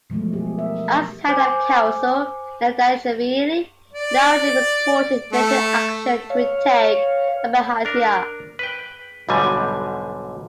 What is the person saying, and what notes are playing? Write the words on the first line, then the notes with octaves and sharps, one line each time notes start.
As head of the Council, Nadareishvili loudly supported military action to retake Abkhazia.
B2 F3 F#3 G#3 A3
B3 G4 G#4
A#4 E5
C5 G#5 D6 G6
D5
A3
C#5 F5
D4 A#4
B4 G5
B1 G#2 B2 D3 G3 G#5